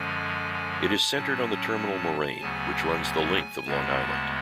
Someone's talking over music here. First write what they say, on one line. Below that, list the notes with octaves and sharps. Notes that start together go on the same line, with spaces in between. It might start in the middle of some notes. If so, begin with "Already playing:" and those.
It is centered on the terminal moraine which runs the length of Long Island.
Already playing: F#2 D3 F3 G#3 G#5
G#5
A5
A2 F#3 C#4
D2 C#3 F#3 B3 G#5
G#5
D2 C#3 G#3 B3 A5